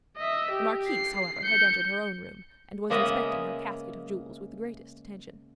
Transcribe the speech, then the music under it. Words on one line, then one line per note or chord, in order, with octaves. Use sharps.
The marquise, however, had entered her own room, and was inspecting her casket of jewels with the greatest attention.
D#5 E5
G4
C7
G6 C#7
C#3 G#3 A#3 B3 D#5 E5